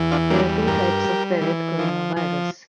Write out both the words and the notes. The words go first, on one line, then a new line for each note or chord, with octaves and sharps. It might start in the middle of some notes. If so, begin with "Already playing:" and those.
There are two types of ferret coronavirus.
Already playing: E2 E3
D4 F4
G3 A#3 D4
G2 G4 A#4
G3
E3
F3
F3